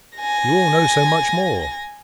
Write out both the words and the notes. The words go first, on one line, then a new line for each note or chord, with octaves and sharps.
You all know so much more.
G#5 A#6